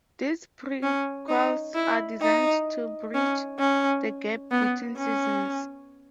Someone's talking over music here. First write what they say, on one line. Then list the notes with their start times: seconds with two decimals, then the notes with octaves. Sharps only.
These prequels are designed to bridge the gap between seasons.
0.83 C#4
1.29 D#4
1.75 E4
2.22 D#4
3.14 C#4
3.59 C#4
4.51 B3
4.98 C#4